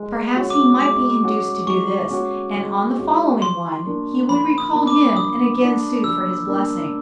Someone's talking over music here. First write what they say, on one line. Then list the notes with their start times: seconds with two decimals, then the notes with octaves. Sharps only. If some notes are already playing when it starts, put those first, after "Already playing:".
Perhaps he might be induced to do this, and on the following one he would recall him and again sue for his blessing.
Already playing: G#3
0.36 C#4 F#4
0.50 D6
0.80 G#3 D6
1.23 C#4 F#4
1.67 G#3 C#6
2.10 C#4 F#4
2.54 G#3
2.98 C#4 F#4
3.41 F3 C6
3.86 A#3 D4
4.29 F3 B5
4.58 D#6
4.72 A#3 D4
4.87 D6
5.17 F3 D#6
5.61 A#3 D4
6.04 F3 E6
6.47 A#3 D4